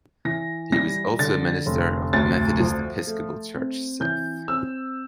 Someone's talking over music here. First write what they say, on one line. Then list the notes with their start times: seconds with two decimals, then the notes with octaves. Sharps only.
He was also a minister of the Methodist Episcopal Church South.
0.25 E3 A#6
0.72 G3 A#6
1.19 D3 A6
1.66 F1
2.13 D2 A6
2.60 F3
3.07 A3
3.55 C4
4.01 E3 G6
4.48 C4 E6